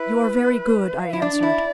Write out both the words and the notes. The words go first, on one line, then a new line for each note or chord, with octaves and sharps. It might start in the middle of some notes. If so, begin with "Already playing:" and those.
"You are very good," I answered.
Already playing: E4 B4
F5
E4 E5
D4 D5
E4